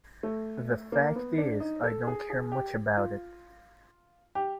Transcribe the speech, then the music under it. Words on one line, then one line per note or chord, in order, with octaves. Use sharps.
The fact is, I don't care much about it.
A3
A#3
B3
D4
D#4
A4
G#4
G#4
G4
F4
G4